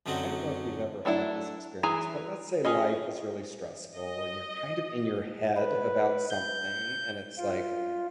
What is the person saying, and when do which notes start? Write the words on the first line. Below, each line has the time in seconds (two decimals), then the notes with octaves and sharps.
I don't know if you've ever had this experience, but let's say life is really stressful, and you're, kind of, in your head about something, and it's, like,
0.06 F#2 D3 F#3 C4 D#4 F#4
1.05 F#3 A3 D4 E4
1.83 E3 G#4 G#5 A#5
2.65 C#4 G#4 D#5
3.96 D#5
5.57 B4
6.30 G6
7.38 F4